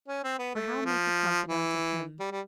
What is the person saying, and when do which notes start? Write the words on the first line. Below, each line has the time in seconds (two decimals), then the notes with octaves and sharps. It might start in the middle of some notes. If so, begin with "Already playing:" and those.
For how make a confidant of him?
0.08 C#4
0.24 C4
0.39 B3
0.55 A3
0.85 F3
1.47 E3
2.20 G3
2.31 G3